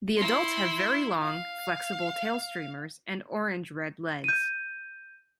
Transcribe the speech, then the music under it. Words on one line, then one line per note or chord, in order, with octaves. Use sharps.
The adults have very long, flexible tail streamers and orange-red legs.
E4 C6
F5
G6 D#7